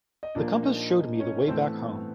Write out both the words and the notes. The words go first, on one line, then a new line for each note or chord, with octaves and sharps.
The compass showed me the way back home.
D#5
A#2 F3 A#3 D4 D5
D#4 D#5
C#4 C#5
A2 E3 A3 C4 C5
B3 B4